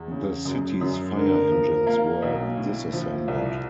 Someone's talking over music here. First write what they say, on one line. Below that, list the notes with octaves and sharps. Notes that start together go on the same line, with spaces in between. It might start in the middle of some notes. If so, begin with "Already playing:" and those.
The city's fire-engines were disassembled.
Already playing: E2
C#3
F#2
F#2
D3 A#4
F3
A#3
B1
A2
F3
C2